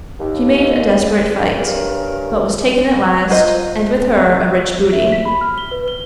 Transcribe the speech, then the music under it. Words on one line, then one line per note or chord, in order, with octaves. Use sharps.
She made a desperate fight, but was taken at last, and with her a rich booty.
D#2
G2 C#4 A#4
F4 C5 D#5
E5
B6
B5
F6
G7
B4
G7